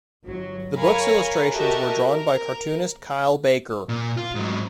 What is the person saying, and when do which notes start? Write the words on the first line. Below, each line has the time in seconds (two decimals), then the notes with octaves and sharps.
The book's illustrations were drawn by cartoonist Kyle Baker.
0.25 G1 F#3
0.77 A#4 C#5 F5 G#5 A#5 B5
1.54 F#4 G4 A4 A#4 D#5 E5
2.05 A#4
3.89 A#2
4.17 F4
4.35 G#2 F#3